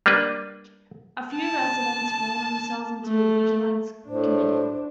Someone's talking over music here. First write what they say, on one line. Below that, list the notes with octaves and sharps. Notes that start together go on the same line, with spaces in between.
A few residents formed themselves into a vigilance committee.
G3 A#3 D4 B4
A5
A3
A2 D4 C5